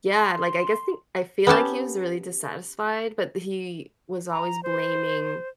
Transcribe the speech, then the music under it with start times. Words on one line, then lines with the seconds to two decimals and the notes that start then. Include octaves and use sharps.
yeah, like I guess think? I feel like he was really dissatisfied, but he was always blaming
0.12 C6
1.47 B3 C#4 G4 A5
4.31 A#5
4.63 C5